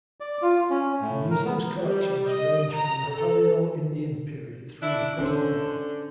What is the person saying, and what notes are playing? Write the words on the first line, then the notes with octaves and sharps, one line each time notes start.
The Museum's collections range from the Paleo-Indian period through the present day.
D5
F4
C#4
A2
A#4
B3
G3
D#5
A#5
A4
D4 E4
D3 C#4 D4 C5